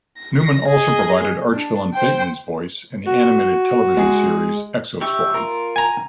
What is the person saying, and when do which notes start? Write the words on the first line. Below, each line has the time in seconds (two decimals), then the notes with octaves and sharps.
Newman also provided arch-villain Phaeton's voice in the animated television series "Exosquad".
0.19 A#6
0.68 G#4 D#5
1.53 D4
1.94 C5 G5
3.07 F#4
3.97 G#3 G#4
5.01 G4 E5 C#6
5.34 F4 A#4
5.76 G#5 A#5